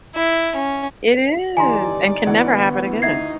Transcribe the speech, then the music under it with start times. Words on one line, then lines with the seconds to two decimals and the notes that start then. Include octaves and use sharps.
It is and can never happen again.
0.15 E4
0.56 C#4
1.57 G1 E3 D#4 G4 D5 G#5 A#5 C6
2.26 D2 E3 B3 F#5
3.02 D#4 E5 G#6 C7